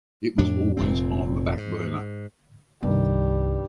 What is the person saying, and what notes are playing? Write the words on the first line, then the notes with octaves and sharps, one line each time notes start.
It was always on the back burner.
F2 A2 D4
F1 F2 A#2 C4
G#2
C2 G2 D#3 G3